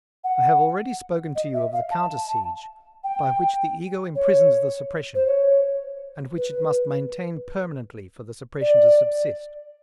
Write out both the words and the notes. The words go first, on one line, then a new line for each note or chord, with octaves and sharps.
I have already spoken to you of the counter siege by which the ego imprisons the suppression and which it must maintain permanently for the suppression to subsist.
F#5
D#5
E5
F5
A5
G5
C#5
C5
C#5
B4
D5